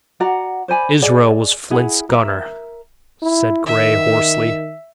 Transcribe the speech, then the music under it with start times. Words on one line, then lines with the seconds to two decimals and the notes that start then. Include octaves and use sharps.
"Israel was Flint's gunner," said Gray hoarsely.
0.20 F#4 D5 F#5 A#5
0.68 C5 D5 G#5 B5
1.02 G#4 D5 D#5 G#5
1.70 E4 G#4 F#5
2.09 A#4 E5
3.22 E4
3.66 D#3 E5